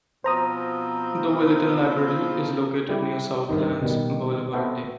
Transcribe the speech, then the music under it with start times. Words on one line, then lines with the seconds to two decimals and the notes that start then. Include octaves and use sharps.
The Willetton Library is located near Southlands Boulevarde.
0.24 B2 F3 C4 C5 A#5 D#6
2.89 G3 E4 G4
3.49 G2 C3 D#3 D#4
3.82 B2 D#3 G3
4.53 B3 C4 F#4 A4 C5 E5